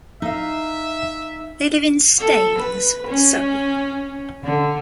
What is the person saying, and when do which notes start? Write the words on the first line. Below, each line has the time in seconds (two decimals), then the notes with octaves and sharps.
They live in Staines, Surrey.
0.22 D#4 E5 F5
2.19 A4
2.58 B4
3.07 C#4
4.44 D3